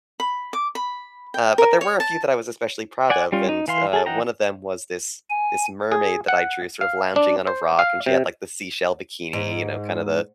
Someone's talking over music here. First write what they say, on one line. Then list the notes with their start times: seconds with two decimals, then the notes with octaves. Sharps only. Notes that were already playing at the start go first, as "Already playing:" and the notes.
Uh, but there were a few that I was especially proud of, and, uh, one of them was this this mermaid that I drew sort of lounging on a rock, and she had, like, the seashell bikini, you know, kind of the,
0.20 B5
0.53 D6
0.75 B5
1.34 G5
1.58 A#4
1.81 C#5
2.00 A5
3.10 D5 F#5 G#5
3.32 G3 C#4 F4
3.49 D#4
3.68 E3 F5 C6
3.93 G#4 A4
4.06 E3 D#4 F#5 G5 A#5
5.30 G#5
5.92 G#4
6.28 F#5
6.81 F5
7.16 D4
7.47 C5
7.79 F5
8.06 C3
9.33 G#2